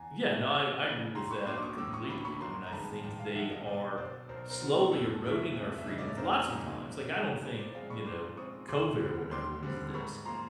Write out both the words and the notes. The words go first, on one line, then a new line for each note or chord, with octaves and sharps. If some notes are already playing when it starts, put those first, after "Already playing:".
Yeah. No. I I agree with that completely. I mean, I think they are slowly eroding our freedoms, lots of times. Like, I don't think, you know, COVID or whatever was this.
Already playing: E2 G#5 A#5
C#3 F3 A#3
E2
C#3 F3 A#3
A2 A#5 C6
B5 C#6
F#3 A#3 D4 C6 D6
D6
C#6 D#6
A2 D6 E6
C#6 D#6
F#3 A#3 D4 B5 C#6
B5 C#6
A1 A#5 C6
A#5
G2 D#3 G#3 B3 A5 B5
A1 G5 A5
F5 G5
G2 D#3 G#3 B3 E5 F#5
D#5 F5
B1 C5 D5
B2 F#3 B3 C5 D5
B1 A#4 C5
A#4 C5
B2 F#3 B3
F2 A4 B4
C#3 E3 A3
F2
E5
C#3 E3 A3 D#5
D5
C#5
F2 A#4 C5
C#3 F#3 A#3 D#4
F2
C#3 F#3 A#3 D#4
G#2 B4 C#5
C5 D5
F3 G#3 C4 F5 G5
B5 C#6
G#2 C6 D6
F3 G#3 C4 C#6 D#6
D#2 C6 D6
D3 G3 C4
D#2 C6 D6
D3 G3 C4
G#2 B5 C#6
F3 A#3 A#5 C6